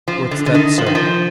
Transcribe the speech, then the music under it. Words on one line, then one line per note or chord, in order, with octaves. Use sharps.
"What's that, sir?"
F3
D3
D3
D#3
F3
D#3
F3